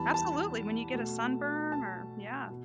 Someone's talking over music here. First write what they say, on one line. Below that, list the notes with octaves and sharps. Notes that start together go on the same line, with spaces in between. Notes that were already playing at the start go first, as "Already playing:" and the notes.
Absolutely, when you get a sunburn or yeah,
Already playing: E2 E3 G3 B3 A5 B5
A5
B2 A3
A5
B2